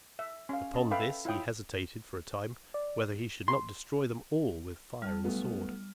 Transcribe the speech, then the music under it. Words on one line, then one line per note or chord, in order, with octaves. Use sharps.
Upon this, he hesitated for a time, whether he should not destroy them all with fire and sword.
E5
C#4 F5
C#4 D#5 A5
A4 B4 E5 F5 G5 B5
E4 F4 C#5 G5 D#6
D5
C6
G3 A5 F6
B1 A3 B3